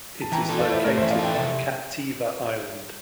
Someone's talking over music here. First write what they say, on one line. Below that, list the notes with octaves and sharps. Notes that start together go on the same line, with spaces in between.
It is located on Captiva Island.
A5
E3 G5 A#5
A4
D5 F5
E4 C5 E5
A3 A#4 D5
C5 E5
E3
D5 F5
A4 E5 G5
C3